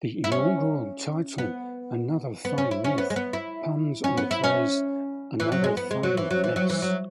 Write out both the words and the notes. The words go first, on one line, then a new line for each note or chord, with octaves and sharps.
The inaugural title "Another Fine Myth" puns on the phrase "another fine mess".
E4
C#4
B3
B3
C#4
E4
C#4
B3
G#3
B3
E4
C#4
B3
E4
C#4
E3
F#3
G#3
B3
G#3
F#3
E3
F#3
E3
F#3
E3
F#3